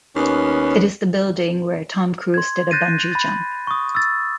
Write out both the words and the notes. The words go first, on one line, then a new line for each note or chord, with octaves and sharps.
It is the building where Tom Cruise did a bungee jump.
D#2 B3 C#4
C6 G#6
F#6 G6 A6 A#6 C7 D#7
B5 A6
C#6 D#6
E6 A6